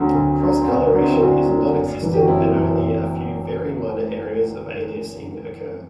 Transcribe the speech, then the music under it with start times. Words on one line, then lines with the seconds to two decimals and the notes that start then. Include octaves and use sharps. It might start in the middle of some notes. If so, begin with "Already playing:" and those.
Cross coloration is non-existent and only a few very minor areas of aliasing occur.
Already playing: D2 D3 F#3 A3 C4
0.14 D2
0.41 D3 F#3
0.61 C4
0.67 D2 B3 D4
0.85 B3 D4
0.94 D3 F#3
1.03 C4 E4
1.21 D2 D4 F#4
1.48 D3 F#3
1.74 F#1
2.01 F#2 E3
2.14 G4
2.21 F#4
2.28 F#1 C4 E4
2.55 F#2 E3
2.81 F#1